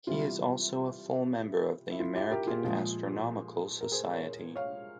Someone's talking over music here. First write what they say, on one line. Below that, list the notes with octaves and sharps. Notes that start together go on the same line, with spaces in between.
He is also a Full Member of the American Astronomical Society.
C3 E3 G3 F4
E4
F4
E4 G4
G4 A#4
F4 G#4
A#2 F3 G#3
A#4
G#4 C5
A#4 C#5
C#5 F5